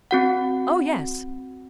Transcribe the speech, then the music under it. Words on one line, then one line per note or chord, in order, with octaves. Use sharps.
Oh, yes.
C4 F#4 F#5